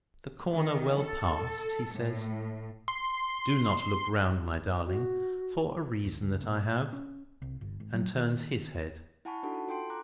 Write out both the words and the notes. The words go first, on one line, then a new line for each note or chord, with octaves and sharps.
The corner well passed, he says: "Do not look round, my darling, for a reason that I have," and turns his head.
D#3
A4
A2
C6
F#4
D1
C#2
A#2
C#4
C2
G1
G#1
F#3
D#3
E4 F#5 G#5 A5 B5 C#6
D4 D#4 F#4 A4 F#5
A5
F4 A4 G5 C6 D7
A#5 D6 F#6